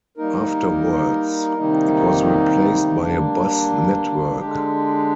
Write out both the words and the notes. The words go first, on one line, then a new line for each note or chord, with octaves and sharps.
Afterwards it was replaced by a bus network.
G3 A#3 D#4 A#4
C3 D#3 G3 A#3 D#4
G3 A#3 D4
D3 G#3 D4 G4